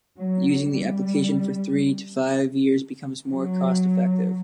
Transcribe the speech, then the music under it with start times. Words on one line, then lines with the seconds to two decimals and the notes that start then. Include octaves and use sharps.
Using the application for three to five years becomes more cost-effective.
0.19 F#3
0.70 G3
3.28 F#3